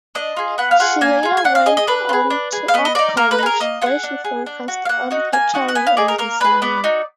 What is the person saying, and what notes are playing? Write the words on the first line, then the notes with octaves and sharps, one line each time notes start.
She later went on to art college, where she focused on pottery and design.
D4 D#5
F4 G#4
B3 F#5
F5
F4 G#4 F#5
A#3 G#5
F4 G#4
G#5
D4 F#5
F5
G#4 D#5
D#5
D4 B4
F4
G#4
D4
G#4
F5
B3 D#5
D#5
D#4 F#4 D5
A#3 A#4
B4
D#4
G#4 A#4
A#3 D#5
F4 G#4 F#5
D4
G#4
D4
F#4
F5
A#3 F#5
D#4 F#4
A#3 G#5
D#4 F#4 F#5
F#5
B3 G#5
F5
D#4 G#4 D5
A#4
A#3 A#4
D4 G#4 B4
B3 D5
D#4 F#4